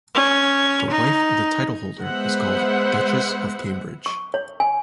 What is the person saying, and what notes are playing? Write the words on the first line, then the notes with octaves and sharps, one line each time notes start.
The wife of the titleholder is called "Duchess of Cambridge".
C#4
D#4
G#3 B3 C5 E5 F#5
C#6
C#5
G#5